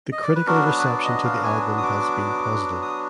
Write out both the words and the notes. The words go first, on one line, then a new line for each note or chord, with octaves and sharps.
The critical reception to the album has been positive.
D#5
D5
B4
F#3 B3 D4 F#4 A#4
B4
B4
D5
D#5
F5
G#5
D#6
D6
D#6